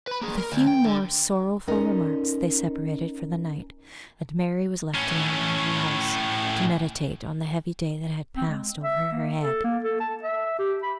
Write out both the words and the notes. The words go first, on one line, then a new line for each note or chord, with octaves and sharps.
With a few more sorrowful remarks they separated for the night, and Mary was left alone in her house, to meditate on the heavy day that had passed over her head.
B4 B5
A#3 G#4
A#4
D2
G5
D3
C#4 D#4 A4 A#4 D5 D#5
A2 C#4
C4
G#3
E5
A#3
A4
A#3
A4
A5
E5
G4
B5